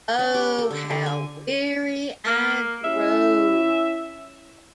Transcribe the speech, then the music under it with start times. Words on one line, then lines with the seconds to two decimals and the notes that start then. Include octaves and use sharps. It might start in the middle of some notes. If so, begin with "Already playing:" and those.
Oh, how weary I grow.
0.19 C#4
0.34 G4
0.59 A4
0.71 D3
0.90 D3
1.06 G#5
2.27 A#3
2.84 C#4 E4 E5